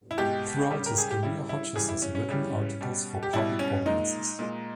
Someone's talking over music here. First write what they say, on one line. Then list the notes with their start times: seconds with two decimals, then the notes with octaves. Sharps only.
Throughout his career Hodges has written articles for public audiences.
0.11 E4
0.18 B2 G#3 G4
0.70 C#3 G3
0.86 A#4
0.98 G#4
1.11 G4
1.23 C#3 G3 E4
1.49 E4
1.76 C#3 E3 G3 G#4
1.89 E4
2.02 C#4
2.15 C#4
2.29 C#3 E3 G3
2.81 B2 G3
3.23 G4
3.33 B2 G3 E4
3.59 C#4
3.86 A#2 G#3 D#4
4.39 A#2 G#3